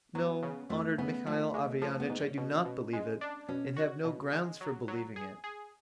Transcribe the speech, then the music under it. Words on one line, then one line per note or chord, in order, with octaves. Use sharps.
"No, honoured Mihail Averyanitch; I do not believe it, and have no grounds for believing it."
F#3 B3
C#3
F2 A3
C#3 B3
F3 A3
G#3
F3 C#4
B3
G#2
C#4
B2
B2
G#3
D4
B2 C#4
F#4
B2
G#3
F#3
F#3
G#4
G#4